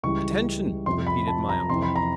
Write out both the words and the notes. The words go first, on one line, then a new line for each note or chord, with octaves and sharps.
"Attention!" repeated my uncle.
C#2 C#3 E3 G3 C#6
F2 C3 F3 C6
B5
A5
A#5
F2 C3 E3 C6
B5
A#5